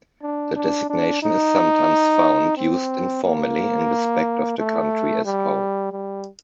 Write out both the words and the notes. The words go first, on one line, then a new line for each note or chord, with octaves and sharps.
The designation is sometimes found used informally in respect of the county as whole.
D4
D4
D4
D#4
C4
A#3
A3
G3
G3